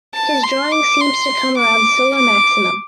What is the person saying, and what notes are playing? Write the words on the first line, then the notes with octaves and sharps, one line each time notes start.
His drawing seems to come around solar maximum.
A5
C6
D6
C6
D6
D6